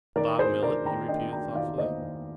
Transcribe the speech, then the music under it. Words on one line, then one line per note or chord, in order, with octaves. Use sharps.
"Bob Millet," he repeated thoughtfully.
D#3 A#4 D5
D#3 G#4 C5
D4 A#4 D5
D#3 G5 A#5
D4 D#5 G5
D4 G5 A#5
D#3 D5 F5
A#3 C5 D#5
D#3